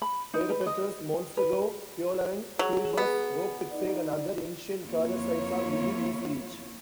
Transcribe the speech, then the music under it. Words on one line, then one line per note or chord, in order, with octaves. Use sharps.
Peyrepertuse, Montsegur, Puilauren, Queribus, Roquefixade and other ancient Cathar sites are within easy reach.
B5
D#4
B4
D#5
B4
F#3 G#4
B3
D#4 D5
F2 A#3 E4 F4 C#5